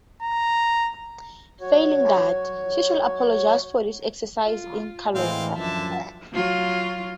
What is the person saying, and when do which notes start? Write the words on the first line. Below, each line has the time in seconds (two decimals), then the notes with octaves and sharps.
Failing that, she should apologize for this exercise in calumny.
0.22 A#5
1.61 F#3 F#4 C#5
4.45 F4
5.15 A2 E3 G#3 C4 F5
5.57 F#2 D3 E3 F3 E5 A5
6.33 F#3 F4